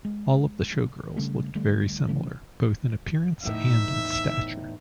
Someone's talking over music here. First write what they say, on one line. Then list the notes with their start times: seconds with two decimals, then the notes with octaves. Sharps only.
All of the showgirls looked very similar, both in appearance and in stature.
0.05 G#3
1.17 C#3 G3 A3 D4
1.55 D3 G3 A3 D4
2.08 C#3 E3 F#3 A3
3.43 E2 A2 D#4 E5